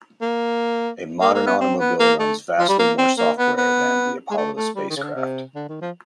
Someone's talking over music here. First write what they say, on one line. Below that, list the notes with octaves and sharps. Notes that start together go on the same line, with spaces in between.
A modern automobile runs vastly more "software" than the Apollo spacecraft.
A#3
A#3
A#3
B3
C4
B3
A#3
A3
F3
G3
A#3
C4
A#3
B3
B3
G#3
A3
A3
G3
D#3
C#3
D3
C3
D3
D#3
F3